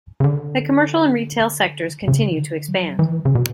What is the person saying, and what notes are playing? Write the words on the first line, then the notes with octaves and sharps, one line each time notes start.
The commercial and retail sectors continue to expand.
C#3
D3
C#3
E3
D3
F#3
E3
C#3
B2